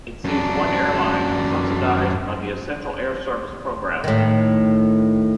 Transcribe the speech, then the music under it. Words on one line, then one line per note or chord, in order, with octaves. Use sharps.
It sees one airline, subsidized by the Essential Air Service program.
F#2 D4
A2 D#3